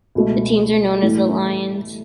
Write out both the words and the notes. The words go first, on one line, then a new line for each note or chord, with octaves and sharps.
The teams are known as the "Lions".
C#2 B2 A3
A2 E3 A3